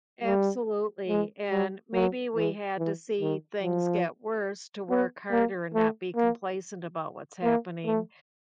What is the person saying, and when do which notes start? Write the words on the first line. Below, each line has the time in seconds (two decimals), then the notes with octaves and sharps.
Absolutely, and maybe we had to see things get worse to work harder and not be complacent about what's happening
0.24 G3
1.09 G#3
1.51 G3
1.94 F#3
2.36 E3
2.78 E3
3.21 D#3
3.62 F3
4.90 B3
5.31 A#3
5.74 A3
6.16 A#3
7.43 A#3
7.86 A3